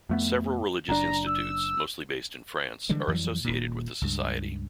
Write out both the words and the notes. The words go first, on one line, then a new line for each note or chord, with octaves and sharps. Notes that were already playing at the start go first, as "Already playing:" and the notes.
Several religious institutes, mostly based in France, are associated with the Society.
F2 A3 B3
F#1 D4 A#5
E6
D3 E3 G3 G#3
F2 E3 F#3 G3
D#1 A#2
C#2 G2